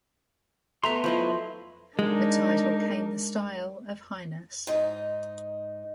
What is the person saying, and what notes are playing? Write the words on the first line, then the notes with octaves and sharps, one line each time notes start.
The title came the style of Highness.
A3 B3 E5 A#5 C6
F3 F#3 E4 D#5 B5 C6
G#3 D4 D#4 A#4
G#2 D#4